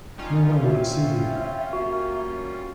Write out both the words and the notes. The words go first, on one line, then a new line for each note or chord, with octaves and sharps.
You will not see him.
G3 C#4 D#4 F4
C4 E5
A#3 F#4